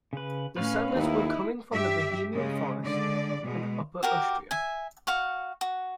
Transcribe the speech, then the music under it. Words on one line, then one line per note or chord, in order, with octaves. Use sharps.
The settlers were coming from the Bohemian Forest and Upper Austria.
C#3 B4
A2 C#4 B4 C#5 F5
D#2 D#4 E4
G2 G4 E5
C#3 G#3
D3 G#3 D5
B2 G#3
F#4 G4 A#4
E5 G#5
F#4 F5 C#6
F#4